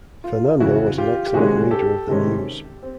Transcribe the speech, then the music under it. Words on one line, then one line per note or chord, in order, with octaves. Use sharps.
Fernando was an excellent reader of the news.
F4
F2 C#3 E3 E4 F#4
F4 G4
G4
C3 D#3 G#3 C#4 F#4 G#4
G4 A4
C3 D#3 G#3 C#4
C4